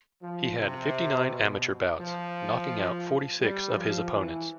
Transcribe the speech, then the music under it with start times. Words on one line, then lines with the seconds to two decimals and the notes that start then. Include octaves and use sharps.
He had fifty-nine amateur bouts, knocking out forty-six of his opponents.
0.22 F3
0.57 C3
1.29 B2
1.99 F3
3.41 G3
3.77 F3
4.11 E3